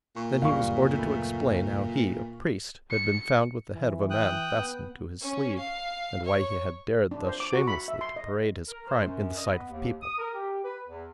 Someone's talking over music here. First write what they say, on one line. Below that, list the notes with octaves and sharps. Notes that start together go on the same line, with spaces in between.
Then he was ordered to explain how he, a priest, had been found with the head of a man fastened to his sleeve, and why he had dared thus shamelessly to parade his crime in the sight of people.
A#2 C#6
F#1 D2 G2 F5 C#6
A3 B3
C#7
E3
G5 D#6 F#6
B3
C#4
F5
C#5
D4
C5
D6
F#4
B5
E5
C6
D#5
A#4
C5
F#2
D#5
B3
D#2
D#6
A#4
G4
B4
E2